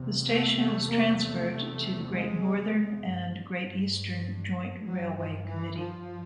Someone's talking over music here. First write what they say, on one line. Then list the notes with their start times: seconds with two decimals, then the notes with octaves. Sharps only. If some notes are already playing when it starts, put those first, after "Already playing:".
The station was transferred to the Great Northern and Great Eastern Joint Railway committee.
Already playing: E2 C3
0.30 A3
0.60 A3
0.90 A#3
1.21 A3
2.12 G#3
3.04 G2
4.86 F#3
5.17 F3
5.47 E3
5.78 F3